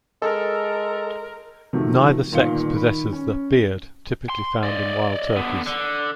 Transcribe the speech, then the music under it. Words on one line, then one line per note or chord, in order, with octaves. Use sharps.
Neither sex possesses the "beard" typically found in wild turkeys.
G#3 A4 A#4
C3 D#3 F3 F#3 A3
G1 A#2 D#3 F5 C#7 G7
D#3 B5
C#4
C6
D5 D#5
D3 B3
D3